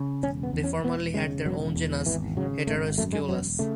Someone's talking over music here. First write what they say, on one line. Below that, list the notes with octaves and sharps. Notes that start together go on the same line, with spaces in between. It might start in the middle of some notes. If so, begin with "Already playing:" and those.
They formerly had their own genus, "Heteroscelus".
Already playing: C#3
E1 C#4
B3
E2
C#4
E1 B3
C#3 G#3
E1 F#3
E2
G#1 E3
C#3 F#3
G#1 A3
F#2 A3
G#3
E1 F#3
C#3 A3